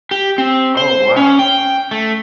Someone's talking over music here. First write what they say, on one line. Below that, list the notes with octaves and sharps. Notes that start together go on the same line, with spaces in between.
Oh, wow.
G4
C4
C5
C#4
G5
A3